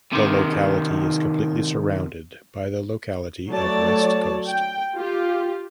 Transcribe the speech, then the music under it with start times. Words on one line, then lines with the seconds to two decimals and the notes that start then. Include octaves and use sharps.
The locality is completely surrounded by the locality of West Coast.
0.12 C3 D#3
3.49 F#3 A3 C#5 D5 A5
4.47 G5
4.97 F4 G4